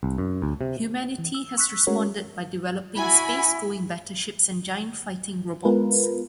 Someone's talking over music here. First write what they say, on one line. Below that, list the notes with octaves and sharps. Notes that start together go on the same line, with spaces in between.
Humanity has responded by developing space-going battleships and giant fighting robots.
C2
F#2
D2
C3
E3
E6
C#6 E6 F#6 B6
G#3 A3 C#4 F#4 A#4 C#5
E4 F#4 G#5 B5
G#3 B3 F4 A#4 B4